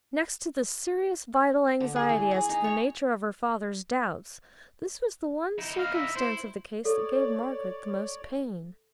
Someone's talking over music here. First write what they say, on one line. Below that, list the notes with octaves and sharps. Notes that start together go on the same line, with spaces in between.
Next to the serious vital anxiety as to the nature of her father's doubts, this was the one circumstance of the case that gave Margaret the most pain.
D3
G#4
E3
G#4
D#4
C#5
D#4 E4
F5
E5
E4 C5
A4 C#5 D5